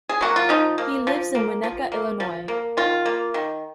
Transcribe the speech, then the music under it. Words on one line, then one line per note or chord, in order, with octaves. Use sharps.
He lives in Winnetka, Illinois.
G#4
F#3 A#3 F#4
F4
F3 D#4
A#3
F3
A#3
F3
A#3
F3
A#3
D#3 F4
A#3
D#3